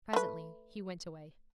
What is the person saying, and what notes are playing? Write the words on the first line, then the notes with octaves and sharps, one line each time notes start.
Presently he went away.
A3 B4